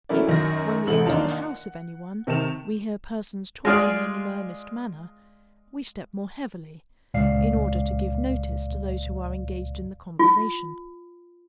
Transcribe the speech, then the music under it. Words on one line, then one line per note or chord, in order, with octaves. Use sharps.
If, when we enter the house of any one, we hear persons talking in an earnest manner, we step more heavily, in order to give notice to those who are engaged in the conversation.
F#3 A3 C#4 E4 A#4 D5
F#2 D#3 F#3 A#6
A1 C3 A3 F#7
D#2 D4 D#4 F4 A5
F#5
C3 D#3 A5 E7 F7
G#3 F4 G#4 D5
C#2 A#2 D5 F5 C7
F4